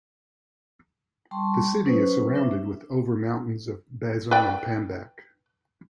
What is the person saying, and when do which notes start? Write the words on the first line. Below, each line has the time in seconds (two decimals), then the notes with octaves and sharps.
The city, is surrounded with the over mountains of Bazum and Pambak.
1.31 G3 A5 C6 C#6
1.85 F#3 C#4 B4 C5
2.35 D4 E5
4.31 B4 D5 G5